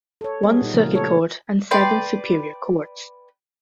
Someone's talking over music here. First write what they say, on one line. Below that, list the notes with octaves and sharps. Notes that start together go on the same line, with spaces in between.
One circuit court and seven superior courts.
A4 C#5
G3 B3 G#4
A#2 D#4
C#3 F3 A#3 A#4
A3 A4 C#5
B4 D5 G5 C6